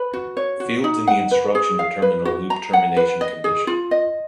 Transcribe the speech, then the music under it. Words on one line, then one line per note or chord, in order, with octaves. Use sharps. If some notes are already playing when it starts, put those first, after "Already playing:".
Fields in the instruction determine the loop termination condition.
Already playing: B4
F#4
C#5
F#4
D#4
F#5
B4
G#4
F5
B4
F#4
A#5
F#5
B4
D#5
G#4
F4
D#5